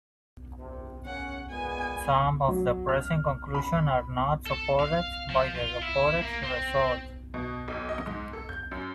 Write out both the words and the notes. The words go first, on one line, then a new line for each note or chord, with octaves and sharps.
Some of the presented conclusions are not supported by the reported results.
A#1 C3
C#3 A#3 C#4 F#5
A#2 G#3 B3 G#5
F#3
F6
B5
A4
F5
F3
F4
E4
A#3
C4
B2
B1
D#5
G#2
A4
G6
F#2